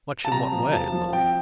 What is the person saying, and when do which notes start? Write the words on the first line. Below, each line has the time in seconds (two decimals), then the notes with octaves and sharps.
"Much in what way, Lily?"
0.25 A5
0.32 C3 A#5
0.52 F3
0.72 F3 A5
0.92 F3
1.13 C4 G5